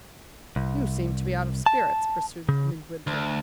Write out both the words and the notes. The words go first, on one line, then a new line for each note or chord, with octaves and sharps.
"You seem to be out of spirits?" pursued Midwinter.
C2
A5
C#3
D2